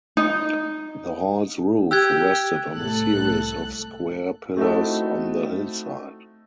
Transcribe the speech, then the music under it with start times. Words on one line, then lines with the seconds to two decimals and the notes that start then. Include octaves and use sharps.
The hall's roof rested on a series of square pillars on the hillside.
0.17 D#4
1.91 G4 E6 F#6 G#6
2.75 C2 A2 A4 F#6
4.57 A3 C4 D#4 E4 F#4 A4